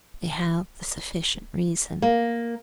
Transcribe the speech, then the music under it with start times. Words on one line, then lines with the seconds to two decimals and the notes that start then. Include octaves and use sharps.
We have the sufficient reason.
2.02 A#3